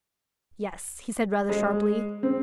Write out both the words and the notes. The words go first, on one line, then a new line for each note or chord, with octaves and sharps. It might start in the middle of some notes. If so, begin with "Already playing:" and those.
"Yes," he said rather sharply.
G#3
C4